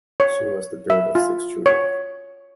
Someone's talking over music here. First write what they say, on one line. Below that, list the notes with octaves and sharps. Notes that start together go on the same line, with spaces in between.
She was the third of six children.
C#5
E5
F4
C#5